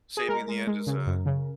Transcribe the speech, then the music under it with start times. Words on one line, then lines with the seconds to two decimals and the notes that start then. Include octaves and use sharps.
saving in the end is a
0.17 G#4
0.28 G#3 A#4
0.48 G#3
0.67 G#3
0.87 C#3
1.07 F#2
1.26 C#3